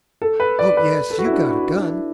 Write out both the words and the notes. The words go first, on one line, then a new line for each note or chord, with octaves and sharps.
Oh, yes, you got a gun.
A4
B4
D5
B4
A4
F#4
E4
D4
F#4
E4
D4
E4